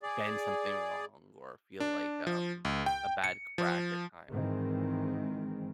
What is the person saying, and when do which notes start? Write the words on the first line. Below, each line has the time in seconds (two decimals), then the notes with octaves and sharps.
bend something wrong or feel like, um, a bad crack at times
0.03 G#4 D5
1.80 D4
2.27 F3
2.65 C#2
2.86 G5
3.24 C#7
3.58 F3
4.30 G#2 D#3 E3 G#3 C4